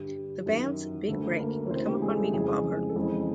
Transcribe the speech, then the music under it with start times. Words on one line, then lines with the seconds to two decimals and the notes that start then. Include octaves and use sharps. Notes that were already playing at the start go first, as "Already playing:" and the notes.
The band's big break would come upon meeting Bob Herdman.
Already playing: G2 D3
0.46 F#2 D#3
1.08 D2 D3 A3 A4
1.39 A#3 A#4
1.66 C#5
1.71 D2 C#3 E3 C4 C5
1.86 G3 G4
2.02 G#3 G#4
2.18 A3 A4
2.33 F2 C#3 E3 G#3 G#4
2.89 A4
2.96 F2 C#3 E3 G#3 G#4